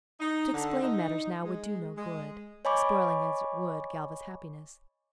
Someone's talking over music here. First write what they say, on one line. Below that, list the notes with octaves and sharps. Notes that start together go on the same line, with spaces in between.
To explain matters now would do no good, spoiling as it would Galva's happiness.
D#4
D3
D#4
G#3
G#3
C#5 D#5 G#5 B5 C#6 D6